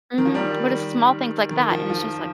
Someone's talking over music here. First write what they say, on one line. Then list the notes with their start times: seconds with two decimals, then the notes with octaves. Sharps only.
Mhm, but it's small things like that, and it's just like,
0.18 D#3
0.25 F3
0.34 D#3 G3
1.51 D#3
1.71 F3
1.90 F3